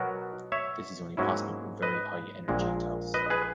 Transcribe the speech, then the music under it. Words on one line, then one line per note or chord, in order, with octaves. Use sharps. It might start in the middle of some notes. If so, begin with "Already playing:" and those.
This is only possible with very high energy taus.
Already playing: B2 F#3 B3 F#4 A#4
C#5 E5
G#2 F#3 A#3 C#4 E4
B4 D#5
A#1 A#2 G#3
B4 D#5
G#4 B4